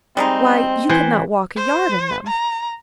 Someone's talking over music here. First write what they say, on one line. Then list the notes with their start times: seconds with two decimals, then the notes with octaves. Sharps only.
'Why, you could not walk a yard in them!'
0.17 G3 G#3 C4 D#4
0.89 E3 C5
1.56 C5
2.27 A#5